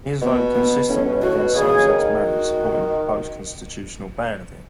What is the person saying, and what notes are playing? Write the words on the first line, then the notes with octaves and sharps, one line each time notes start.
He has voted consistently against same-sex marriage, supporting the proposed constitutional ban of it.
B2 B3
B3
A2 C#4
B2
A2 F#4
B2
C#3 G#4
D#3
F#4